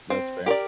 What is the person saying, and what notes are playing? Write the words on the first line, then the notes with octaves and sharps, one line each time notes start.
That was fair.
C4
G4 A#4 D5